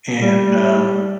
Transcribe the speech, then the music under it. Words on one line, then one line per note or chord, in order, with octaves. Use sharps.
and, um,
G3